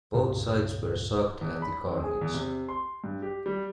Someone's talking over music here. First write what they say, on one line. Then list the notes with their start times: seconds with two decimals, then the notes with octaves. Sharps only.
Both sides were shocked at the carnage.
0.14 C#2 G2 A#2 C#3
1.41 E2
1.62 B5
1.85 F2
2.03 G#4
2.21 E2
2.34 C3
2.69 C6
3.04 G2
3.22 G4
3.46 G3